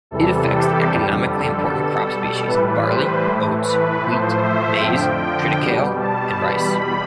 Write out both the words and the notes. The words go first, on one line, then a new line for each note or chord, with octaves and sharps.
It affects the economically important crop species barley, oats, wheat, maize, triticale and rice.
E2 C3 E3 G3 A4
G4
F2 D3 G3
A4
B2 G3 A4
A4
A2 E3 G3 B4
C5
A2 E3 A3
B4
A2 F3 A3 C5
E5
F2 D3 F3 G5
B2 G3
A5
E2 B2 G3 B5